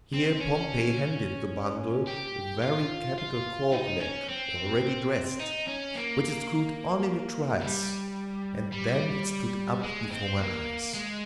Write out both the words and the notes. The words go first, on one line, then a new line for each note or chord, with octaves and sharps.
Here Pompey handed the bundle, a very capital cork leg, already dressed, which it screwed on in a trice; and then it stood up before my eyes.
C4
C#4
G4
F4
F4
D#4
C#4
C4
D#4
C#4
A#3
G3
G3
G#3
C4
A#3
G#3